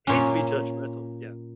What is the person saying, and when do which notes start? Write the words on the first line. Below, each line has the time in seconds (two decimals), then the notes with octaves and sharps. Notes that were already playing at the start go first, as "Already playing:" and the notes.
Hate to be judgmental yeah.
0.07 A#2 C#4